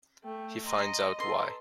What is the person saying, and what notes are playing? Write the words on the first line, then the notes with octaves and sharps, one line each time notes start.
He finds out why.
A3 G5
D#5 A#5 C6
A4 B4 A#5 C6